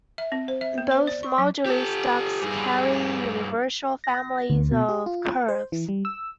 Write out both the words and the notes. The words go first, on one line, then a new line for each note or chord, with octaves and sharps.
Both moduli stacks carry universal families of curves.
E5
C4
C5
E5
B3
C5
D5
C#6
F#3
G4 A4
G2 G#4
A#6
D2
B2
G4
F4
C5
E3
G3
E6